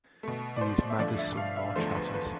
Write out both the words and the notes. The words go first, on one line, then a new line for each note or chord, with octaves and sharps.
He is mad as some March hatters.
B2 A3
D5
C5
E5
G2 D3 F3 A3 D5
E5
F5
E5
E2 D3 F3 A3 C5
B4
B4